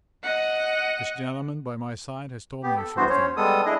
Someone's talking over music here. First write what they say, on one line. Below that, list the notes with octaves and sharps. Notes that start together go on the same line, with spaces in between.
This gentleman by my side has told me a few things.
D#5 F#5
B3 G4
A4
G2 E3 B3 F#4 C5
C#4 C5 C#5
G3 G#3 B3 A4 D#6
D4 E4 G#4 D#5